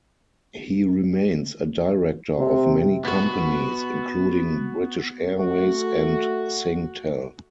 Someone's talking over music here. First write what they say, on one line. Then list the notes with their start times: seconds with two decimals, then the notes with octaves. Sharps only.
He remains a director of many companies, including British Airways and SingTel.
2.38 C3
3.05 B3 F#4
5.31 A3 F#4